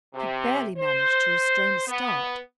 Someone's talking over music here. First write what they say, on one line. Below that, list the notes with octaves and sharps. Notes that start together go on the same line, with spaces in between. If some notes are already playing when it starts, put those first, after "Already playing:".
He barely managed to restrain a start.
C3
C5
B3